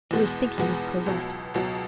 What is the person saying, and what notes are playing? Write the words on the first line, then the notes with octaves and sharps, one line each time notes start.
He was thinking of Cosette.
E2 B2 G#3 B3
E2 B2 G#3 B3
C#2 B2 F#3
C#2 B2 F#3